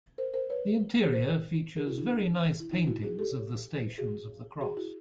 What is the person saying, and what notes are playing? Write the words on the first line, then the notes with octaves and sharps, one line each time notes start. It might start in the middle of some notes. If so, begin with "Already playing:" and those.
The interior features very nice paintings of the stations of the cross.
A#4 C5
A#4 C5
B4 C#5
A#4 C5
G#4 A#4
E4 F#4
D4 E4
E4
D#4 F4
E4 F#4
F#4 G#4
G4 A4
F#4 G#4
F#4 G#4
E4 F#4